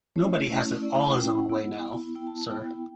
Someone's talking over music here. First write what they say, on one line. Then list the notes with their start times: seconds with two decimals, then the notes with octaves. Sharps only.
Nobody has it all his own way now, sir.
0.16 A3 C#4 E4 C#5
0.49 A3 C#4 E4
0.82 A3 C#4 E4 D5
0.99 F#5
1.15 A3 C#4 E4 G5
1.26 G5
1.37 F#5
1.49 B3 E4
1.83 B3 E4
2.15 B3 E4 G5
2.27 A5
2.38 A5
2.48 B3 E4 G5